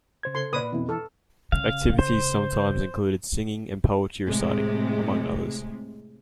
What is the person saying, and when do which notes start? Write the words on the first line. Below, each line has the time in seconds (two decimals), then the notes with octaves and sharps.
Activities sometimes included singing and poetry reciting, among others.
0.23 C#3 C5 G#6
0.35 A4 C6
0.53 A#2 B4 D5 D#6
0.72 F2 B2 E3 E4
0.89 A4 F6
1.52 C#3 F5
1.99 C5
4.26 A2 C3 G#3